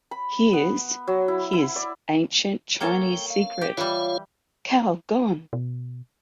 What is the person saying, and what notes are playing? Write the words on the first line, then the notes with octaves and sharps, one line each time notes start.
"Here's" his "Ancient Chinese Secret" - Calgon!
B5
B3
F#3
E4
E4
D5
A#3 A4 C#5 G5
F5
G4
E3 G3 F4 C#5 F5
B2